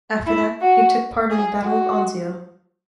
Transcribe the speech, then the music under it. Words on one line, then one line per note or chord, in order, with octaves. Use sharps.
After that he took part in the Battle of Anzio.
E4
F#4
G#4
F#4